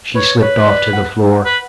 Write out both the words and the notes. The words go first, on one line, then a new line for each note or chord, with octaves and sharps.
She slipped off to the floor.
B4 C#5
B4 C#5
D5
F#5
B4